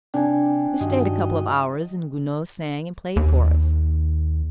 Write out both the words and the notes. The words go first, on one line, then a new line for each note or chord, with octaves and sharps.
We stayed a couple of hours, and Gounod sang and played for us.
C3 D4 G5 G#5
G2 D#3 F#4 D#5
D#2